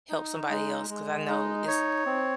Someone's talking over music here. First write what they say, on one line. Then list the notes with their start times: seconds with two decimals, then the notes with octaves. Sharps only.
help somebody else- 'cause I know it's
0.10 D#4
0.50 G#3
0.89 G#3
1.29 D#4
1.67 C#5
2.06 C4